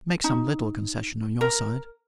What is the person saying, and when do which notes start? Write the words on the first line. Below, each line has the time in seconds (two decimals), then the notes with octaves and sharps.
Make some little concession on your side.
0.24 D#4
1.41 A#4